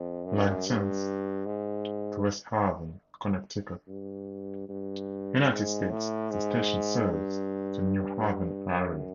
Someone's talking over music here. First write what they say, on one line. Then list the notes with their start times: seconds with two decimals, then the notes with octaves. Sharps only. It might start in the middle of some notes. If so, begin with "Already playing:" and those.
Licensed to West Haven, Connecticut, United States, the station serves the New Haven area.
Already playing: F2
0.25 F#2
0.66 G2
1.45 G#2
3.88 G2
4.69 G2
5.49 G#2
5.90 A2
6.30 G#2
7.11 G2
8.72 F#2